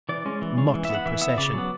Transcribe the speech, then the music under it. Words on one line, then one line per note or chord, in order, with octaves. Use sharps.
Motley procession!
E3 D5
G#3 C#4
E3
G#3 C#4
E3
E5
B3 F#5
E3 E5
B3 E5
C#3 D5
F#3 B3